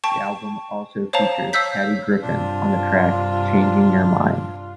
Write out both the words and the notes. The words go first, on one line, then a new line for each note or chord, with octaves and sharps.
The album also features Patty Griffin on the track "Changing Your Mind".
G5 A5 C#6
C5 C#5 F5 A5 A#5
C#5 F5 E6 G6 B6
G2 C3 D4 F4